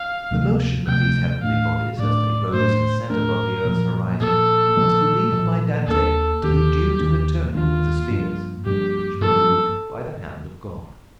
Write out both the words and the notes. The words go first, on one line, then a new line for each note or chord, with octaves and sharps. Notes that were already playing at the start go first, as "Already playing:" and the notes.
The motion of these heavenly bodies as they rose and set above the earth's horizon was believed by Dante to be due to the turning of the spheres, which were moved by the hand of God.
Already playing: F5
D2 C3 F3 A3
D2 C3 F3 A3 G5
A2 A3 D4 F5
A2 A3 D4 D5
A2 A3 D4 C5
A2 A3 D4 A#4
A#2 F3 A#3
A#2 F3 A#3 A4
A#2 F3 A#3
A#2 F3 A#3
D#2 D#3 A#3 D4 A4
D#2 D#3 A#3 D4 G4
D#2 D#3 A#3 D4
D#2 D#3 A#3 D4 F4
G2 F3 A#3 D4
G2 F3 A#3 D4 G4
G2 F3 A#3 D4 A4